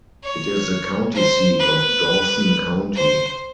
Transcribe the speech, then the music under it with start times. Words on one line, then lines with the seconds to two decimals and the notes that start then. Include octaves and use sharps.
It is the county seat of Dawson County.
0.23 C#5
1.15 C5
1.59 B4
2.95 C5